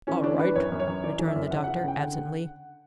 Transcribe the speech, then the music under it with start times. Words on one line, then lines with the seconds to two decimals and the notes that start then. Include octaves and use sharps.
"All right," returned the Doctor, absently.
0.07 E3 C#4
0.24 E3 D4
0.39 E3 B4
0.56 F#2 C#5
0.72 F#2
0.80 C#5
0.87 F#2
1.04 E3 D5
1.19 E3
1.27 E5
1.36 F#2
1.51 C#3 F#5
1.64 F#5
1.67 E3
1.76 F#5
1.84 C#3 G5
2.00 D3 F#5